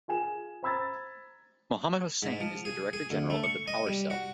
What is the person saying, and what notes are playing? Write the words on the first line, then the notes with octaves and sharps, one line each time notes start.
Mohammad Hossain is the Director General of the Power Cell.
F4 G#4 G#5 E7
C5 A#5 B5 E6 G#6 A6
G#2
F3
G#4
G#4
D2
A3
C#6
D#5
G3
F#4